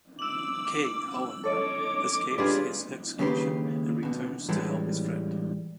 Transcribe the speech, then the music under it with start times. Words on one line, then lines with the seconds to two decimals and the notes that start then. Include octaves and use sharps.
Kei, however, escapes his execution and returns to help his friend.
0.19 D6 E6 F#7
1.44 A4 C#5 D#5 D6
2.38 G3 D4 F4 G#4 B4
3.19 D#2 C#3 A#3 G4 B4 C6
4.03 D2 B2
4.49 A2 E3 G3 G#3